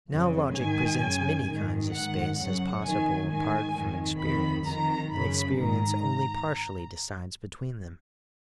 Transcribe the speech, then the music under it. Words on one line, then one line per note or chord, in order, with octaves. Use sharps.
Now, logic presents many kinds of space as possible apart from experience, and experience only partially decides between them.
F2 C#3
G#2 D#3 G#5
F#2 C#3
G#2 D#3
G#2 D#3 F#5
F#2 C#3 F#5
F2 D#3 G#5
G#2 D#3 G#5
F2 D#3
F2 D#3 B5
F2 D#3 A#5
F#2 C#3 B5
G#2 D#3 A#5